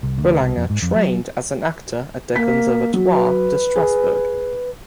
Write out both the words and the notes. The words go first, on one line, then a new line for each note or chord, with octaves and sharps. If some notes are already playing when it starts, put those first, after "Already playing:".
Boulanger trained as an actor at the Conservatoire de Strasbourg.
C2
D2
C2
F2
G#2
F2
F#3
A#3 B6
F#3
B4
G#4